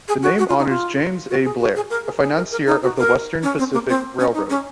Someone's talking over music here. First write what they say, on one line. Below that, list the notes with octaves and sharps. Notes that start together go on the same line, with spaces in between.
The name honors James A. Blair, a financier of the Western Pacific Railroad.
G#4
F#4
F#4
F4
D#4
F4
F#4
G#4
F#4
G#4
A#4
G#4
G#4
A#4
A#4
D#4
F#4
A#4
C#4
C4
A#3
C4
C#4
D#4
C#4